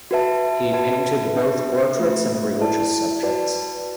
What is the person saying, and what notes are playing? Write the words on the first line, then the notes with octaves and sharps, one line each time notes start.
He painted both portraits and religious subjects.
F#4 B4 E5 A5
F#4 B4 E5 A5
D4 B4 E5
A3 F#4 B4 E5
E4 D5 A5
F#4 B4 D5 A5